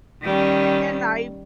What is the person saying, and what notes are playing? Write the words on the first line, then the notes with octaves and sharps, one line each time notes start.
and I
D#3 G3 C#4